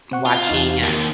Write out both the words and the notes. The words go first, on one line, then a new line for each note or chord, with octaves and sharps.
watching, uh,
C4 F#5 C#6
F4
E2 D#4 F5
D#2 D#3